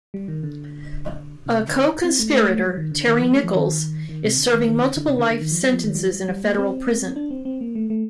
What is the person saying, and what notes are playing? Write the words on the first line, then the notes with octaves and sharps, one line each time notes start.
A co-conspirator, Terry Nichols, is serving multiple life sentences in a federal prison.
G3
D#3
D3
C3
D3
C4
A3
A3
A3
G3
D#3
D3
D#3
F3
A3
F3
D#3
D#3
C3
D3
D#3
D#3
D3
D3
C3
D3
D3
D#3
F3
G3
F3
D#3
G3
F3
G3
G3
A#3
C4
D4
C4
C4
A#3
A3
A3